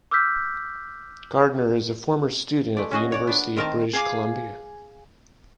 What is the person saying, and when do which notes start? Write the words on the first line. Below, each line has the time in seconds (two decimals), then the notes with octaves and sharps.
Gardiner is a former student at the University of British Columbia.
0.11 D6 E6 F6 G6 B6
2.77 G#3 A3 D5
2.91 C#4 F#4 G#4 D#5
3.12 C#5 D5 F#5
3.27 B3 D4
3.56 D#3 C4 A#4 D#5 A5 A#5
3.93 G#4 F5 G#5 D6